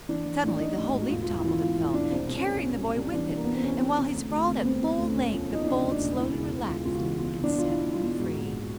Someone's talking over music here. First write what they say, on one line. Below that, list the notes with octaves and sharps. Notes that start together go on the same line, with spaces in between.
Suddenly the whole leaf toppled and fell, carrying the boy with it, and while he sprawled at full length the folds slowly relaxed and set him free.
E3 D4
E3
A1
D4
A1 D#4
A1
G#2
F#4
E1 F4
F4
E1
E4
E3 F4
E1 F4
E1 E4
E1 D4
C2 C4
C2
C#4
C2
C2 C#4
C2
C2
E3 D4
C2
A#3
C2 B3
C4
C2 C#4
C3
C3
D2
D2
C3
B3
C3 C4
C3
D2
E1 C#4
F3
F3 D#4
C#3 D4
D2
D4
E1
C#2 E4
C#2
C#2
C#2 F4
C#2 F4
F#4
E3
B2 F4
B2
D4
B2
F4
B1 E4
B2
F4
B2
G#2 F#4
A#1
F#4